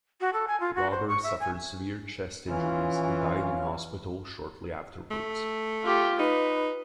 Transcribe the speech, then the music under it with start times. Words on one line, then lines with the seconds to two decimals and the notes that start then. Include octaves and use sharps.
Robert suffered severe chest injuries and died in hospital shortly afterwards.
0.21 F#4
0.33 A4
0.48 G#5
0.60 F4
0.75 F#4
0.91 C5
1.08 C#6
1.23 E5
1.40 G#5
2.49 E3 C#4 F4
5.11 A3
5.85 F4 G4
6.19 D#4 B4